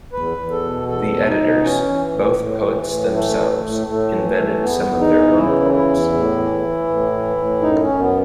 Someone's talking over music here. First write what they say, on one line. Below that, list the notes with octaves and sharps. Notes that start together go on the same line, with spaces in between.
The editors, both poets themselves, invented some of their own poems.
E2 B4
E2
A4
B2
E2 A4
B2
D#4
B2
E3 C#4
E3
A2
A2
E3
A2
E3 A3
A2
A2
A2 A3
E3
E3
E2 B3
E2
D#4
E3
C#3 E4
E3
E4
E2
A2
E3
E3
A2
E3
A2
F#2 D#4
C#4
F#2
B3